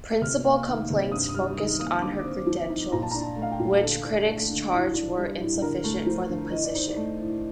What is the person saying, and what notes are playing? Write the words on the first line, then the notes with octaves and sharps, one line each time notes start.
Principal complaints focused on her credentials, which critics charged were insufficient for the position.
C3 F6
A#3
D#3
C3
G2 D#6
D#6
G3 F6
D#3 D#6
A#3 D#6
D3 D6
C4
F3
D#4
A#2 A#5
A5
D4 A#5
A5
A3
F5
G5
A#2
D3 A4
D4
A3
D3
A2
D4
G3
A2
D3 A#4
A3
F3 C5
D3
A2 D#5
D5
D#4 C5
D5
A3
A2